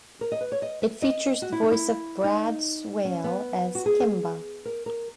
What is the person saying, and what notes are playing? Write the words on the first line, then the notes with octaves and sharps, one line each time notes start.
It features the voice of Brad Swaile as Kimba.
A#4
D#5
B4
C#5
D#5
E5
D#5
F#4
E4
D#4
E4
D#4
C#4
B3
F#4
G#4
A#4
A#4